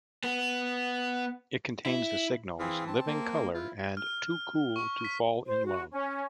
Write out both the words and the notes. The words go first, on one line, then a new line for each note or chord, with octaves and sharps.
It contains the singles "Living Color" and "Too Cool to Fall in Love".
B3
E4
E3 C4 G#4 F5
C4 A5
A#3
E4 F4
F6
C#6
B6
C5
F#4
C#4